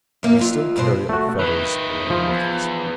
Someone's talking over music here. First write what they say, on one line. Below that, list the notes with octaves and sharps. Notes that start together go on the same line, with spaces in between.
We still carry our fetters along with us.
F#2 A#3
F2 F4
G2 B2 C5
A3 F#4
D#3 E4 B4
F3
E2